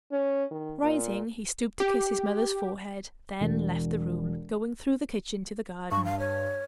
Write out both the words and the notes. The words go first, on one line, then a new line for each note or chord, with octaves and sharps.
Rising, he stooped to kiss his mother's forehead, then left the room, going through the kitchen to the garden.
C#4
D#3
A#2
G4
E1
G2 C#6
F5
C#5